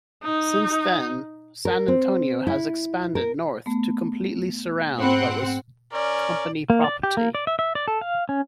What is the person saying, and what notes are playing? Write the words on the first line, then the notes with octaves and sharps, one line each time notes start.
Since then San Antonio has expanded north to completely surround what was company property.
D#4
A#4
C4
E4
A#4
A3 B3
G#2 C4 F#5 B5
C#4 A#4 D5
A#3
D5
G4
A#3
D5
E5
E5
D5
A4
F5
C#4